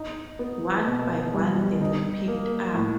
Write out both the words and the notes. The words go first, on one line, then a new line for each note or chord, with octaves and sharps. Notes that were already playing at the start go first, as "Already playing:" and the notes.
One by one they were picked up.
Already playing: D#4
B3
B2
G3
D#4
A#3
A2